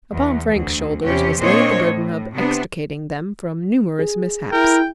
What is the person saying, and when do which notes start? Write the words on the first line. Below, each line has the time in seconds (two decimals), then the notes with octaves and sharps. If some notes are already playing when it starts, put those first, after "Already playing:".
Upon Frank's shoulders was laid the burden of extricating them from numerous mishaps.
0.14 E2
0.51 D2
1.04 E2 C3 C#4 G4
1.40 A#2 C4 D4 C5 C#5 D#5
1.84 A2
2.34 C3 B3 D4
3.99 G#4
4.52 E4 A#4 G5